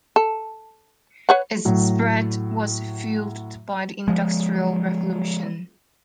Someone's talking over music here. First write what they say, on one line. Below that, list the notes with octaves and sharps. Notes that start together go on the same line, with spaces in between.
Its spread was fueled by the Industrial Revolution.
A4
B4 C#5 F#5
A2 F#3
F3 G#3